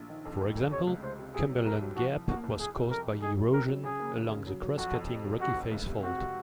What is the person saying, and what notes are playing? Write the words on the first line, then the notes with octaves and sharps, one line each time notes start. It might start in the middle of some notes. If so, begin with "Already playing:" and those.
For example, Cumberland Gap was caused by erosion along the cross-cutting Rocky Face Fault.
Already playing: A#1
D#3
F2
F2
F2
C3 C#5
C#2
C#2 C5
C3
C3 G#4
F#3
C2 A#4
F#3
F3 F#4
C2
A#3 F#4
C2
F2 G#4
C3
F2 A#4
F2
D#4 G#4
F#3
C4 A#4
F#3
C#3 G#4
A#3
D#2
C#3
F#3
F#3
F2 F#4
F2
C3
F#3
C3 F#4
F1
C#2
C3
C4 F#4
C3